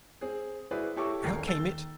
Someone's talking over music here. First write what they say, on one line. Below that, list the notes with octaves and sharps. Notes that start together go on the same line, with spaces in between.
How came it?
C4 G#4
E4 F#4 G#4 B4 C5 D5
E4 G4 A4 C#5 C#6 D6
D#1 A#1 D#2 A#4 C7
E6 A6 G7
D#3